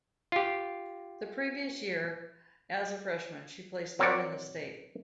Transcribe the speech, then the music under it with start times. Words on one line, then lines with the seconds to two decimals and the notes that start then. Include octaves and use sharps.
The previous year as a freshman she placed third in the state.
0.32 F4 G4
3.99 F#3 C4 A#4 C#5 D5 F#5